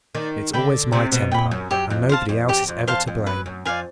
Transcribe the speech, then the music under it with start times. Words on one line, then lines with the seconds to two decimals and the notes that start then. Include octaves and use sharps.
It's always my temper, and nobody else is ever to blame.
0.15 D#3 D5
0.53 D3 G5 B5
0.92 C3 D5
1.12 B2
1.31 A#2 G5 B5
1.51 F#2
1.71 F#2 G4
1.90 F2
2.09 C5 F5 A5
2.29 F2
2.48 E2 G4
2.68 F2
2.87 E2 C5 F5 A5
3.07 F2
3.26 F#2 B4
3.46 F#2
3.65 F2 D5 F5 G#5